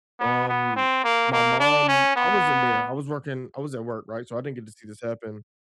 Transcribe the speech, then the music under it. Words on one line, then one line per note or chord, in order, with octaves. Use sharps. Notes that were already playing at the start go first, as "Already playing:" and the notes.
um, my mom I wasn't there, I was working I was at work, right, so I didn't get to see this happen.
B3
B3
C4
A#3
A#3
D4
C#4
B3